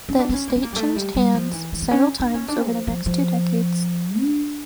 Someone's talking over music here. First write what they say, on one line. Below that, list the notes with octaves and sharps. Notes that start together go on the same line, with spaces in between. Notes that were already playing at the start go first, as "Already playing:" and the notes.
The estate changed hands several times over the next two decades.
C#4
D4
D4
C#4
A#3
C#4
A#3
G3
A3
G3
G3
F3
E3
E3
A#3
C#4
D4
C#4
D4
F3
F3
F3
D4